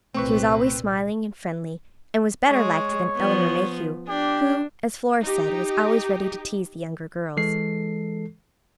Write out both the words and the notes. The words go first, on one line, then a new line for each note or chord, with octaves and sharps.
She was always smiling and friendly, and was better liked than Elinor Mayhew, who, as Flora said, was always ready to tease the younger girls.
C2 A#2 A3 C4 B4 C#6
G#3 C#5
F3 B3
D4 G4
D#4 G4
E3 G#3 A4 C7